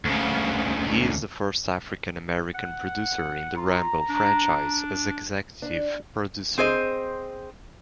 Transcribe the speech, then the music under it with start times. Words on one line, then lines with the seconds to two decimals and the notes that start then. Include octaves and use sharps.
He is the first African American producer in the Rambo franchise as executive producer.
0.05 D2 C#3
2.55 F#5
3.57 F4 A#5
4.09 D4
5.62 D4
6.58 C4 G#4 C5 D#5